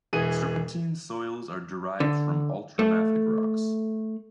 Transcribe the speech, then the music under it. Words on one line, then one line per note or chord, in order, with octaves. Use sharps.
Serpentine soils are derived from ultramafic rocks.
E1 E3 G#4 D#7
D3
A3